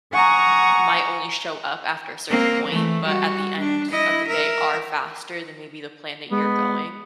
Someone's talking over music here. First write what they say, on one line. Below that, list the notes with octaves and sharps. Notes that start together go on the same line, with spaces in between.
might only show up after a certain point, but at the end of the day are faster than maybe the plan that you're going.
F#5 G#5 A#5 C#6 D#6
A#3 C4
E3 A3
G3 F#4
D4
E4 D#5
A#4 E5
G#3 B3